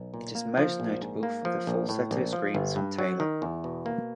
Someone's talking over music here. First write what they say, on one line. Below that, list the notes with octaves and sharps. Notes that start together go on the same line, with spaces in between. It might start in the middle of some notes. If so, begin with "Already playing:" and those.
It is most notable for the falsetto screams from Taylor.
Already playing: B1
A#2
A#3
F3
A#1
G#2
A#3
F3
A#1
A2
A#1
F3
G1
G2
F#3
D#3
E2
B2
A#3